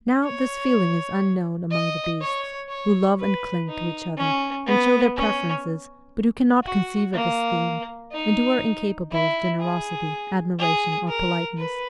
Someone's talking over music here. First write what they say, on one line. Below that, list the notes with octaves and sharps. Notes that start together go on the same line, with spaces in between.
Now, this feeling is unknown among the beasts, who love and cling to each other, and show their preferences, but who cannot conceive of esteem, and who are incapable of generosity, admiration, or politeness.
C#5
D#5
C#5
C#5
B4
D#4
C#4
B3
C#4
F#4
A#3
D#4
E4
G#4
G#4
A#4
B4